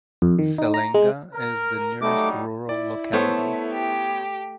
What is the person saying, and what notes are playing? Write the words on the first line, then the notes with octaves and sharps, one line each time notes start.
Selenga is the nearest rural locality.
F2
D#3
D#4
A#5
G#3
A#4
F#3 G3 A3 D#4 D6
E4 D5
A3 B3 C5 C#5
G4